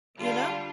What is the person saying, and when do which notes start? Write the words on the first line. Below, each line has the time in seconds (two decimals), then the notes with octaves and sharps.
you know?
0.18 D3 G3 D4 F4